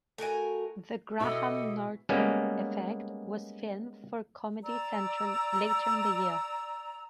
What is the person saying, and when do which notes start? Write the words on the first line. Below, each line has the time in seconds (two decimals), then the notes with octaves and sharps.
"The Graham Norton Effect" was filmed for Comedy Central later in the year.
0.18 A3 F#4 A#4 G#5
1.20 B2 E4 G4 A4 D#5
2.09 G3 G#3 A#3 B3 C#4
4.63 D5 A#5 E6